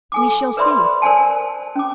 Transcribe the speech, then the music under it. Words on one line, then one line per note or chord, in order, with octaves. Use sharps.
"We shall see."
A4 G#5 D6
B4 C5 D5 E5 B5 C6
A#4 C5 D5 G#5 A5
C#4 D6